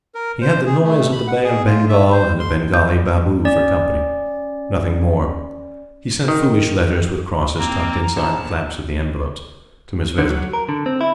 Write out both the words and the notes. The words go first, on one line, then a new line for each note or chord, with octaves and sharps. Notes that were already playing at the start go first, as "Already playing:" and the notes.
He had the noise of the Bay of Bengal and a Bengali Babu for company; nothing more. He sent foolish letters, with crosses tucked inside the flaps of the envelopes, to Miss Vezzis.
A#4
C5
G#4
A3
B5
F#5
G#4
F4
E5
C5
C6
G6
C#4 D5
D#3
A#3 C4 A#5
A#1 A5
D3
F#3
A#4
D3
C4
E4